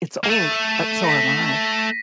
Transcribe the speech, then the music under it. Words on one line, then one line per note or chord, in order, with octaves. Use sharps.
It's old, but so am I!
A#3
A3 D#7
A#6
B6